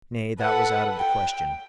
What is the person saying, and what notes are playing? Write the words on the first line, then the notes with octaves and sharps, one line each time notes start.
Nay, that was out of the question.
A4 B4 F#5
G5